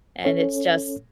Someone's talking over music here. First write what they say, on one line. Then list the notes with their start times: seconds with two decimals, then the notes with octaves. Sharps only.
and it's just,
0.25 C#4 A4 C#5